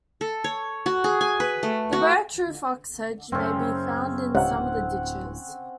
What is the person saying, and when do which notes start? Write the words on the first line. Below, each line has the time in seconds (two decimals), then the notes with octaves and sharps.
The rare true fox sedge may be found in some of the ditches.
0.21 A4
0.44 C#5
0.86 F#4
1.04 G#4
1.21 G#5
1.40 B4
1.63 A3
1.93 F#4
3.32 F#2 C#3 C4 C#4
4.35 D1 C#2 C3 F#5